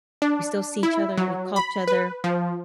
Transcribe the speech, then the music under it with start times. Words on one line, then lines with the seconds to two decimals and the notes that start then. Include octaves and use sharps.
We still see each other, we call each other,
0.22 D4
0.83 E4
1.17 F#3
1.56 B5
1.87 B4
2.24 F3